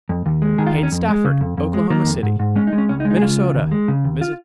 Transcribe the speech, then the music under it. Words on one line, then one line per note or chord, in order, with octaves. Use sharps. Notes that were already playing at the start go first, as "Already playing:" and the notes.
Kate Stafford, Oklahoma City. Minnesota-Mrs.
F2
D#2
G#3
D#3 G#4
F4
D#2
C#4
F2
G#3
C#3
F2
F2
G#3
D#3 A#3
F2
G#2
G#2
G#3 C#4
D#4
G#3
C#4
C#2 C#4
D#4
G#3
D#4
G#4
C#3 F4
C#2
D#2
G#3
C#3
D#2
F4